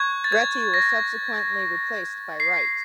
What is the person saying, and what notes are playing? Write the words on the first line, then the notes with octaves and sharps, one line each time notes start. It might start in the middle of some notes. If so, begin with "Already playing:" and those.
Reti was subsequently replaced by Wright.
Already playing: C#6 F#6 G#6
A6
G#6
A#6
C7